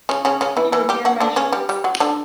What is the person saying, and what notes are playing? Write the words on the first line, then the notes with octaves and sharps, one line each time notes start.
Can you repair my shoes?
C#3 C#4
C#3 C#4
C#3 C#4
E3 E4
E3 E4
G3 G4
F#3 F#4
D3 D4
C#3 C#4
G3 G4
G3 G4
F#3 F#4
D3 D4